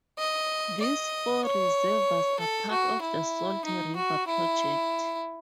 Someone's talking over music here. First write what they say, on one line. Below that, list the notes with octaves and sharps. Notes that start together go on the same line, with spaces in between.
These four reservoirs are part of the Salt River Project.
D#5
D#5
C#5
A4
F#4
E4
D#4
F#4
E4